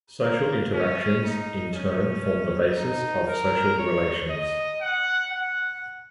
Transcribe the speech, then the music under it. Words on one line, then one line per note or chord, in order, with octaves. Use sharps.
Social interactions in turn form the basis of social relations.
A#3
C#4
D#4
C#4
D#4
A#4
C#5
D#5
F#5
F#5